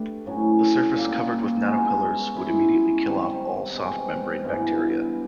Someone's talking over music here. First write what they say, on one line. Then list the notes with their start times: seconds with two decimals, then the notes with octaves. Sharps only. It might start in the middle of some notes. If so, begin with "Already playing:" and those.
A surface covered with nanopillars would immediately kill off all soft membrane bacteria.
Already playing: A3 D4 G4 B4
0.26 A2 F#3 A3 C#4
0.96 A#2 G3 A#3
1.64 G#3 B3 D#4 F#4
2.35 G#3 C#4 E4 G#4
3.05 D#3 G3 C4
3.73 B2 G#3 C4
4.43 G2 E3 G#3 B3